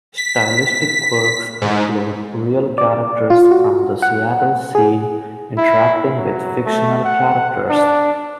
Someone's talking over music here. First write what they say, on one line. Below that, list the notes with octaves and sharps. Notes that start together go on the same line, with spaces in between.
Stylistic quirks include real characters from the Seattle scene interacting with fictional characters.
B6
G#2
D5
F4
F#4
F#5
G#4
E4
F#3
A3
F#5
D4